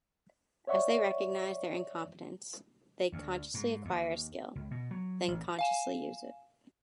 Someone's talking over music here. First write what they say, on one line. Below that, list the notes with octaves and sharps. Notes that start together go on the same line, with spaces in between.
As they recognize their incompetence, they consciously acquire a skill, then consciously use it.
C#5 D5 E5 F#5 C#6
D2
G#2
D#2
C#2
B2
F#3
A1
F5 G#5 E7